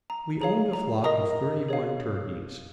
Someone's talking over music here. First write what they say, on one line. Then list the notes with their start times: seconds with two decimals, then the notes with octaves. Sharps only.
We owned a flock of thirty-one turkeys.
0.10 A#5
0.41 G#4 C#5 F5 A#5
0.73 A#5
1.04 A#4 D#5 A#5 D#6
1.68 G#4 C#5 F5